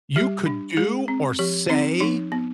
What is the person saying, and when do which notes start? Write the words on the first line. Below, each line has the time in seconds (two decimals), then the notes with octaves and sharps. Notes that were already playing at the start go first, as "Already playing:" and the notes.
You could do or say
0.16 G3 G4
0.46 D4
0.77 G#3 G#4
1.08 C4
1.39 F3 G4
1.69 C4 D#4
2.00 F3 D#4
2.32 B3